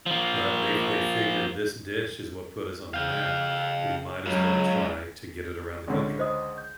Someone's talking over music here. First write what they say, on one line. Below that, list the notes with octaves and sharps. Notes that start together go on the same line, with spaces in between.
but they f they figured, "This dish is what put us on the map, we might as well try to get it around the country."
F3 A#3
C#3 F5 G5
C#2 C#3 F#3
C#2 D3 C#4
C5 D#5 D#6
G6